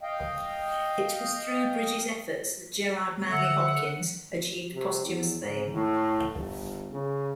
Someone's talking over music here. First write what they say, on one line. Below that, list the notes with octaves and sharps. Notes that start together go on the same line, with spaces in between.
It was through Bridges' efforts that Gerard Manley Hopkins achieved posthumous fame.
D#5 F5 G5
D3 E5 F#5
C3
E2
G#2
A2
G1
C#3